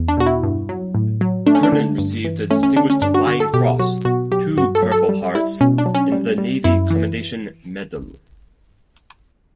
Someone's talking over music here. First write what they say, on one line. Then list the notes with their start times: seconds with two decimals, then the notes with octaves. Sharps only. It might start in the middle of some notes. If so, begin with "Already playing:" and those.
Kernan received the Distinguished Flying Cross, two Purple Hearts and the Navy Commendation Medal.
Already playing: E2
0.08 D4
0.17 B2 F#4
0.26 E4
0.43 G2
0.69 F#3
0.95 A2
1.21 F#3
1.47 A3 D4
1.55 C#4
1.63 D4
1.72 D3
1.98 G2
2.25 E3
2.50 A3 C#4
2.63 C#4
2.76 D3 D4
2.90 C#4
3.02 G2 D4
3.14 F#4
3.27 D3 F#4
3.40 A4
3.54 B2 G4
3.80 F#3 F#4
4.05 B2 F#4
4.32 F#3 G4
4.57 G2 F#4
4.75 A4
4.83 F#3
4.92 A4
5.09 G3
5.35 G3 E4
5.61 B2 C#4
5.78 D4
5.86 F#3
5.95 C#4
6.12 G3
6.38 G3
6.64 F#2 E4
6.90 E3